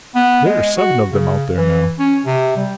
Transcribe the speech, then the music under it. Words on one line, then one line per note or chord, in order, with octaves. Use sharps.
"There are seven of them out there now."
B3
G#3
F#4
C#3
E3
C#4
C3
G3